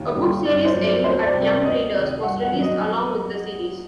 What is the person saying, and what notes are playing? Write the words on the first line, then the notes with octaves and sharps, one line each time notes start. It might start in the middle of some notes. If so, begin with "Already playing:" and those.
A book series aimed at young readers was released along with the series.
Already playing: D#2
D3 G3
G2 D5
C5
F#3
D5
D2 C5
D5
C3 G3
D5
D2 D#5
C3 D#3
G2 F#5
F#5
D#3 F#3
D#5